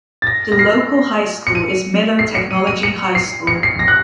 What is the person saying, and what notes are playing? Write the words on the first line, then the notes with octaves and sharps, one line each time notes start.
The local high school is Miller Technology High School.
A6
A#6
A#6
C7
C#7
D#7
C7
C#7
D#7
D#7
C#7
C7
C#7
C7
A#6
F#6